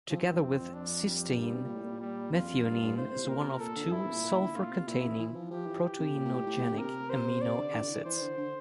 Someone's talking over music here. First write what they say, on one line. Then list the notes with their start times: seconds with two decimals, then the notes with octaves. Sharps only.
Together with cysteine, methionine is one of two sulfur-containing proteinogenic amino acids.
0.10 F3 C4
0.21 E3
0.31 G2
0.42 F2
0.58 F2
0.74 D4
1.06 G3
1.37 G2
1.54 C3
1.64 A#2
1.74 A2
1.84 A#2
2.01 G3
2.33 F2 F4
2.48 F2
2.64 G2
2.80 G2
2.96 A2 C5
3.12 C3
3.24 A#2 A#4
3.36 C3
3.60 A#2 A4
3.76 D3
3.84 F2
3.92 G2 E4
4.02 A2
4.08 C3
4.13 A#2
4.24 A#2
4.40 D3
4.55 A#2 F4
4.71 C3
4.87 A#2 E4
4.97 C3
5.08 E3
5.19 E3
5.35 F3
5.51 F3 G4
5.66 E3
5.83 G4
5.98 C3
6.15 A#2
6.25 A#2
6.30 A2
6.46 A2
6.57 A2
6.62 A#2
6.72 D3
6.78 C3 A#4
7.10 C5
7.41 C3 D5
7.57 D3
7.73 E3
7.79 C3
7.84 D3
7.94 E3
8.05 E3 C5
8.21 D3
8.37 D3